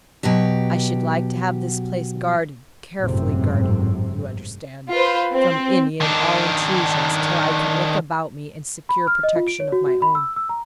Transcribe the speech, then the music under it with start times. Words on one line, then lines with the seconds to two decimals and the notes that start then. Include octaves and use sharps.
I should like to have this place guarded--carefully guarded, you understand--from any and all intrusion till I can look about me and secure protection of my own.
0.23 B2 F#3 F#4 G4
3.00 G#1 F#2 A2 C3 C4
4.93 F4 B4 C5
5.33 C4
6.01 D#3 D4
8.89 B5
9.07 F6
9.23 D#5
9.36 F4
9.48 D7
9.60 C#5
9.72 F#4
9.87 F#4
10.02 B5
10.15 E6
10.36 E6
10.49 A#5